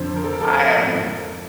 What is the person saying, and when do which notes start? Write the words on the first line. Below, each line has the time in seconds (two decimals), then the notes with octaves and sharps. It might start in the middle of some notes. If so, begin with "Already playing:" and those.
I am
Already playing: F2 D3 F3 C5
0.16 A#4
0.24 A4
0.33 A#4
0.41 A4